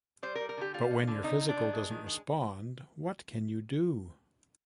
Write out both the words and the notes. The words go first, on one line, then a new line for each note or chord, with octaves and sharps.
But when your physical doesn't respond, what can you do?
G3 C5
A#4
G3
A#4
D3 G4
G3 F4
D3
D3
C3 D#4
C3
D4
D#3
G#3
D#3
G#3